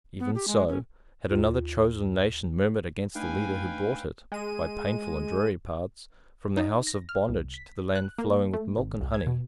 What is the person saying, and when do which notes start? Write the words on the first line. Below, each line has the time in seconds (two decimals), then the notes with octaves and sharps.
Even so had another chosen nation murmured against the leader who brought it, by painful and dreary paths, from the house of bondage to the land flowing with milk and honey.
0.20 B3
0.35 G4
0.48 G#3
0.69 C#4
1.30 D#2 F4
3.15 A3 D4 D#4 B4 F5 G5 G#5
4.32 G#3 D#7
6.57 D#4
6.87 A#6
7.09 F6
7.29 C2
7.54 B6
7.95 F#6
8.18 A#3
8.54 A3
8.78 G#1
9.01 C2
9.14 G#6
9.27 B2